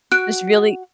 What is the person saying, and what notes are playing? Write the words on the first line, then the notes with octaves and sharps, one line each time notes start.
just really
F#4 F#6 D7